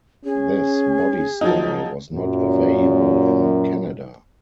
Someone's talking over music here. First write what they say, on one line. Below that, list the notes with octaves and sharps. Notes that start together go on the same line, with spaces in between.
This bodystyle was not available in Canada.
C#4 G#4
F3 F#3 D#4
F#2 A#2